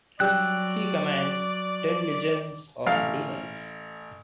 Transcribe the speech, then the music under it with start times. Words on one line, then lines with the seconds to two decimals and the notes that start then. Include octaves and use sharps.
He commands ten legions of demons.
0.20 F#3 G3 G4 D5 E6 F#6
2.86 A1 F5